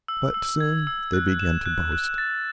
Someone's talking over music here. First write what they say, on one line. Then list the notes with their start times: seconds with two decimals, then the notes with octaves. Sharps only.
But soon they began to boast.
0.08 E6
0.34 E6
0.60 G#6
0.87 E6
1.13 F#6
1.39 E7
1.66 F#6
1.92 F#6
2.18 A6